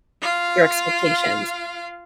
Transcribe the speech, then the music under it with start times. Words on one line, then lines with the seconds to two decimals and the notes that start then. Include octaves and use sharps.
your expectations.
0.21 F4 F5